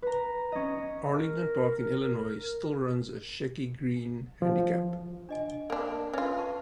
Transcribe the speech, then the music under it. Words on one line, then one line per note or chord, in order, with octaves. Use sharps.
Arlington Park in Illinois still runs a Shecky Greene Handicap.
B4 A#5
C#4 D#5
A#4
F3
D4 D#5 G#5
A#3 D4 G#5
C#4 F4 B4 E5
B4 A5 C#6